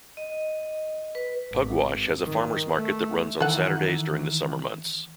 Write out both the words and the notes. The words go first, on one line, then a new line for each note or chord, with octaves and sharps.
Pugwash has a farmers market that runs on Saturdays during the summer months.
D#5
B4
G#1
D#3
A3
D#3 E3 A4 F#5